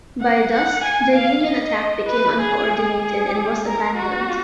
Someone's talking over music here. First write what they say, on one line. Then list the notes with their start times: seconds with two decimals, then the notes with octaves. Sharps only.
By dusk, the Union attack became uncoordinated and was abandoned.
0.21 F#5
0.53 F#5
0.84 G#5
1.15 F5
1.47 D#5
2.08 B4
2.40 G#4
3.02 G#4
3.65 A#4
3.96 F#4